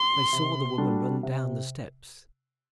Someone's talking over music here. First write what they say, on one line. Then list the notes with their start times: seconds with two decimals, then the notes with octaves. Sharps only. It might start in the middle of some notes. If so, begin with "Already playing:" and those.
They saw the woman run down the steps.
Already playing: C6
0.33 C3
0.78 G3 D4 F#4 A4
1.23 C3